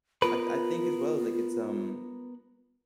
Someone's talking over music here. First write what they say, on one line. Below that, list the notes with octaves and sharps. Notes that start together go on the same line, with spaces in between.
I I think as well, like, it's, um
B3 F4 A#4 B4